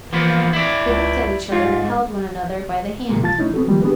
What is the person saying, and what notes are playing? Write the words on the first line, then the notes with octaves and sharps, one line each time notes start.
They looked at each other and held one another by the hand.
E3 F3 A#3 B3
E4 D5
C#2
G#2 F4
A#2 C#3 F#3 G#3 A#3
C2 F#2 F4 A5 A6
C#2 A3 C#4 D#4 E4
B3 C4 F#4 A4
D#3 F3 G3 G#3 A#3 F4
B3 D4 G4 G#4 B4